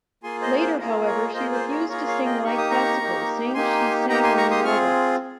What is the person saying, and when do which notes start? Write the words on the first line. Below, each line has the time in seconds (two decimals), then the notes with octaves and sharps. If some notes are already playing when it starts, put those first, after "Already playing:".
Later, however, she refused to sing light classical, saying she sang only ragas.
0.23 A#3 F4 G#4 G#5 C6
0.41 C5 D#5
0.60 C5
0.79 A#3 F4 G#4 A#4
1.05 A#4 C#5
1.33 A#3 F4 G#4 C5 D#5
1.52 C5
1.70 A#4 C#5
1.89 A#3 F4 G#4 A#4 C#5
2.07 C#5 F5
2.25 D#5 G5
2.44 A#3 D#4 G4 C#6
2.58 D#6
2.70 A#5 C#6
2.99 A#3 D#4 G4
3.54 A#3 D#4 G4 G#5 C6
4.09 A#3 D#4 G4 G5 A#5
4.23 G#5 C6
4.37 A#5 C#6
4.51 C6 D#6
4.64 C4 F4 G#4 C#6 F6